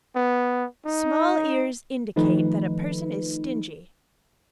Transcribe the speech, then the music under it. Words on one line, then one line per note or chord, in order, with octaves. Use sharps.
Small ears indicate that a person is stingy.
B3
D#4
D#3 F3 A3 D#4 B4